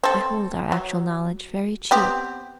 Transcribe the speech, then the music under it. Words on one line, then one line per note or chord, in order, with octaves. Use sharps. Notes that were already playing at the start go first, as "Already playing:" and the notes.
I hold our actual knowledge very cheap.
C4 A4
F#3
B3 C4 G4